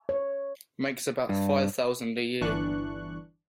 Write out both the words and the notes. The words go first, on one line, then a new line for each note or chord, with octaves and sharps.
Makes about five thousand a year.
C#5
G2
G1 E3 D4 C#6 F#6